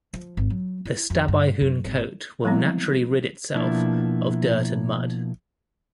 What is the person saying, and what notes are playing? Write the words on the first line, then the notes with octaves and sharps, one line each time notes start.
The Stabyhoun coat will naturally rid itself of dirt and mud.
F3
G#1
F#3
E4
F2
G2
F#2
G#1
F3 G3 G#3 B3 C4 E4
B2 F3 A#3 D4 E4